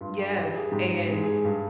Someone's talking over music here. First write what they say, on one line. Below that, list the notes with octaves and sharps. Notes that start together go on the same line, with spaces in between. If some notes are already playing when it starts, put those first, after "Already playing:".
Yes, and
G2 F4
G4
G2 G4
G#4
G#2 G4
G#2 G#4
G#4
G2 G4